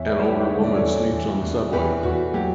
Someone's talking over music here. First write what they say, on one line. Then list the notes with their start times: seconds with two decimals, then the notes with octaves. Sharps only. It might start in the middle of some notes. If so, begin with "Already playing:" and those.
An older woman sleeps on the subway.
Already playing: E2 C#5 E5
0.09 B4 D5
0.19 G3 C#5
0.29 G4 B4
0.49 D3 C#5
0.64 D5
0.76 E2 A4 C#5
1.12 E2
1.42 E2
1.72 E2 G4 B4
2.03 E2 F#4
2.34 F#3 G4